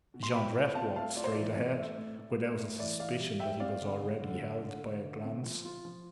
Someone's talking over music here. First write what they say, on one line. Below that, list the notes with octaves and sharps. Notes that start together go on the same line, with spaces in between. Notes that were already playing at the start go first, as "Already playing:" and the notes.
Jondrette walked straight ahead, without a suspicion that he was already held by a glance.
B2
C6
F4 G5 B5
F4
C4 F5 A5
A3 F5 A5
F4 D5
C5
E3 D5
C4
A3
A2
A2
A2
A2
E3 D5
E3 D5 F5
G3
G3 E5 G5
C4 D5 F5
D3
D3
D3
A3
D3
D3
D3
C4
F3
F4
F3